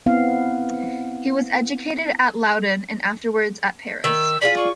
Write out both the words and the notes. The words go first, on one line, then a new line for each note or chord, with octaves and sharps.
He was educated at Loudun and afterwards at Paris.
B3 C4 E4 F5
D#3 E6
F4 G#4 D5 B6
C#6